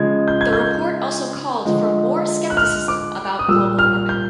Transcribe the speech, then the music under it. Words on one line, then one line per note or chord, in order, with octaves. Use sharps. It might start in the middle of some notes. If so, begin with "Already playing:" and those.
The report also called for more scepticism about global warming.
Already playing: C#3 F3 G#3 G#6
G6
G#6
G6
D3 F3 G#3
F#6
F6
D6
D#6
A#2 G3 E6
F6
G6